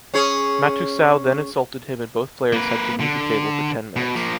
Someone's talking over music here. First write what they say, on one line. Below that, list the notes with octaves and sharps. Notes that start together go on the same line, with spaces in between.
Matusow then insulted him and both players had to leave the table for ten minutes.
C#4 G#4 C#5
A#3 B4
D3
B2
F3 A#3